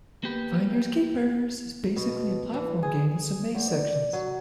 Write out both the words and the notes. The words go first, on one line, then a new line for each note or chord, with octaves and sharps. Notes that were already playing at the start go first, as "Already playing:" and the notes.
"Finders Keepers" is basically a platform game with some maze sections.
A#3 B3 G4 B4
B2
E3
G#4
G#4
E2
D5
F#3